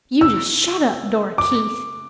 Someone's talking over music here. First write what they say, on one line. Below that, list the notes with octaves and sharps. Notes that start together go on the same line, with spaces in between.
"You just shut up, Dora Keith."
E6
D6